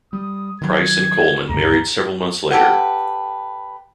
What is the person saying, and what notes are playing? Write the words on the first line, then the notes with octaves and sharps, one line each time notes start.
Price and Coleman married several months later.
G3 D#6
D#3 F#3 G#6
D2 G2 C#3 A#5
G4 A4 B4 F#5